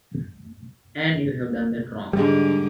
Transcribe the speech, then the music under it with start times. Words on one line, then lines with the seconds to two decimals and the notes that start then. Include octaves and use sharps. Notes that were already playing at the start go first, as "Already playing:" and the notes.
And you have done that wrong!
2.13 G#2 D3 G3 G#3